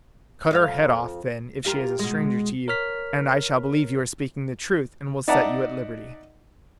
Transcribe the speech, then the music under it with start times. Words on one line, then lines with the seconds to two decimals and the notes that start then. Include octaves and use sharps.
"Cut her head off," then, "if she is a stranger to you, and I shall believe you are speaking the truth, and will set you at liberty."
0.51 F2 D#5 F5
1.65 F4 G4 A#4
1.99 B2 G#3
2.68 A#4 C#5 F6 B6
5.28 D#4 D5 E5 F#5 A5 A#5